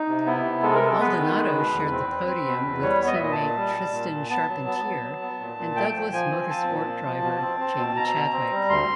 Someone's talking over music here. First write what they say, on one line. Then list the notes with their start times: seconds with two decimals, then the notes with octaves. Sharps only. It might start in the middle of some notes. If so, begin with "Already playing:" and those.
Maldonado shared the podium with teammate Tristan Charpentier and Douglas Motorsport driver Jamie Chadwick.
Already playing: D#4
0.09 C3
0.26 B3 E4
0.44 C3
0.62 G#3 A4
0.75 A#4
0.82 G#3 A4
1.00 B3 B4
1.18 D#3
1.36 G#3
1.54 B2
1.73 E2
1.91 C4
2.09 C4
2.28 C4
2.46 B2
2.65 E2
2.82 G3 C#5
3.02 B3
3.07 D#5
3.15 E5
3.19 A#2 D#5
3.32 A5
3.38 A#2
3.56 G3
3.75 G3
3.93 A#2
4.11 A#2
4.30 B3 A5
4.48 F#3
4.66 B3
4.85 B3
5.02 F#3
5.22 B3
5.40 A#2
5.58 A#2
5.76 A3 G5
5.95 F3
6.12 F3 G#5
6.31 C4
6.49 F3 A5
6.68 A#2
6.86 F3
7.04 F3
7.22 B2
7.42 C4
7.60 C4
7.78 B2
7.96 B2 A#5
8.15 B2
8.32 C4
8.51 G3
8.69 D2 C6